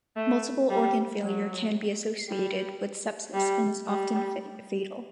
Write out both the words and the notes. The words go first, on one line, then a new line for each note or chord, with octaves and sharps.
Multiple organ failure can be associated with sepsis and is often fatal.
A3
G3
F#3
G3
G3
G3